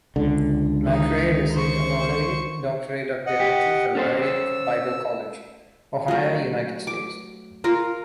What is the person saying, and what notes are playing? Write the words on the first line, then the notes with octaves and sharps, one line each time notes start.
McCrea received an Honorary Doctorate of Divinity from Mariette Bible College, Ohio, United States.
C#2 D3
D#3 D#4
C5 C#6
D#5 F#5
G4
C#4 A4 C5
E6
F#3 A3
D6
F4 A#4 A#5